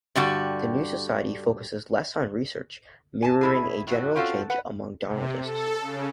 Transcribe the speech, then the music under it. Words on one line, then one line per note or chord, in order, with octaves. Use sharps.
The new society focuses less on research, mirroring a general change among donaldists.
G2 D3 G3 F#4
G#5 A5
B2 E4 G#4
A2 F#3 F#4
C4 C#4 F4 F#4 A4
B4 F#5
C3
A4
C#3